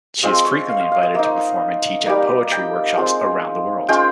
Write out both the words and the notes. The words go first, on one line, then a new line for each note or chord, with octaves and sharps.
She is frequently invited to perform and teach at poetry workshops around the world.
G#3 C4 F4 D#5
C#5
F5
F5
F5
D#5
A#3 D#4 D#5
G3 A#3 D#4
G5
G#3 C4 F4
G#3 C#4 F4 G5